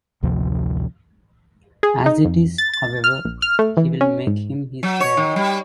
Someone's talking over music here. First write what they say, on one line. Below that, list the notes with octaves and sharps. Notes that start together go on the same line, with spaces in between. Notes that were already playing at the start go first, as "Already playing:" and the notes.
As it is, however, he will make him his heir.
A1 D2 C3 F3
G#4
D#4
F2
A6
A6
F6
A#1
F6
A3
E3
C#4
G#2
F#3
C#5
D#3
G3